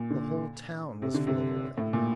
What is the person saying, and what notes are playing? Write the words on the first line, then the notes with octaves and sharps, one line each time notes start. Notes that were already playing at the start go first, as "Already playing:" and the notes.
The whole town was full of oil.
Already playing: A#2
D3
C3
D3
C3
A2
A#2